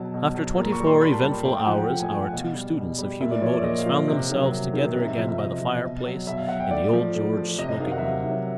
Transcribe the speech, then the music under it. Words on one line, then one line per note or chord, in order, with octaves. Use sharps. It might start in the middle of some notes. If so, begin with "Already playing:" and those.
After twenty-four eventful hours our two students of human motives found themselves together again by the fireplace in the Old George smoking-room.
Already playing: B2 F#3 A5
B2
F#3
A#2 A#5
C#6
G3
C6
A#2 B5
A5
G3 A5
A2 G5
G5
F3 F#5
G5
A2 G5
G#5
F3 G5
F#5
B2 F5
G3
B2
G3
A#2 E5
D5
F3 C#5
D5
A#2 D#5
F5
F3
C3
D#3 F#3
C3
D#3 F#3
C3 D#5
E5
F3 E5
E5
C3 D#5
F3
B2
F#3
B2 E5
F5
F#3 F#5
G5
A2 D5
F3
A2
F3
C3 D#5
D#5
D#3 F#3 F5
F#5
E5
C3 F5
D#3 F#3